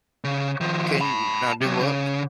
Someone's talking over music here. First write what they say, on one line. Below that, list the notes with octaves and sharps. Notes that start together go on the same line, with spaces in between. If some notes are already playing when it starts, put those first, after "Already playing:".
can you now do what?
C#3
D#3 F3
A5 B5
C3 F#3
C#3